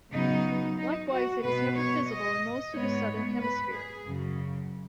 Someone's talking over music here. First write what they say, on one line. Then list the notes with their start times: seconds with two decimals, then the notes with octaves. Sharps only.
Likewise, it is never visible in most of the southern hemisphere.
0.11 C#3 F#3 B3 D#4
0.77 D#4
1.09 F#4
1.42 B2 B3 B4
1.76 C#5
2.09 D#5
2.74 G#2 G#3 B3 C#5
3.40 B4
3.73 G#4
4.06 F#2 C#3 F#3